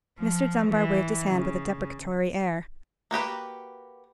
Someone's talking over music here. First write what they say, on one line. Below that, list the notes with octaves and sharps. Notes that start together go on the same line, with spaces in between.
Mr. Dunbar waved his hand with a deprecatory air.
F3
E3
C#3
A#3 F#4 G4 B4